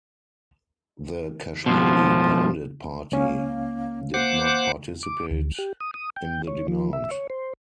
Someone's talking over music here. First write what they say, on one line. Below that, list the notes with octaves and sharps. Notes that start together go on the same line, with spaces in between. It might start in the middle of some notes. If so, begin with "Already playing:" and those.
The Kashmiri Pandit party did not participate in the demand.
F2 B2 F3
C#2 A#3 C#4 F5
A#3 C5 F#5 D6
D6
D2
G4
D#6
D#6
G5
C#5
F3
E5
C#5
C5